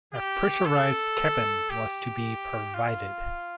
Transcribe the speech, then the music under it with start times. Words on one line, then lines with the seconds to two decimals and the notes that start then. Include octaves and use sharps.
A pressurized cabin was to be provided.
0.14 G4
0.65 A4
1.70 G4
2.74 F4